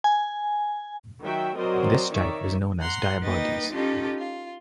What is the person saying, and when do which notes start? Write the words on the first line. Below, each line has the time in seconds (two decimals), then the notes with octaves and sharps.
This type is known as "diabodies".
0.04 G#5
1.23 D#3 F#3 F#4 E5 G5
1.57 F#3 C4 A#4 C5 D5 D#5
2.14 D#3 C#5 D5 E5
2.80 F#5 A#5 C6
3.22 A#3 D#4 B4 D#5 G5 A6
3.72 C#4 D#4 F4 G4 A4
4.18 F4